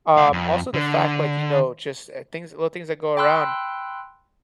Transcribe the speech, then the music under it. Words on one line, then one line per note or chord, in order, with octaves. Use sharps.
Um, also the fact, like, you know, just, eh, things little things that go around,
C#2 F5
F2
D3
G5 B5 C6 E6 F#6